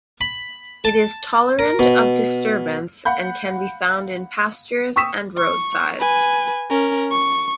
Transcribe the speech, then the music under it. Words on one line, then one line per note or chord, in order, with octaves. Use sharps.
It is tolerant of disturbance and can be found in pastures and roadsides.
B5
A5
A#4
B2
F5 F#5 B5 G6
G5 C#6 D#6 E6 B6 E7
C#6
B4 G#5
C#4 A#4
C#6